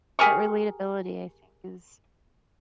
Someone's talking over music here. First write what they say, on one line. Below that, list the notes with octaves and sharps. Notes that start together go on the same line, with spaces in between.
That relatability, I think, is
G4 G#4 A#4 C#6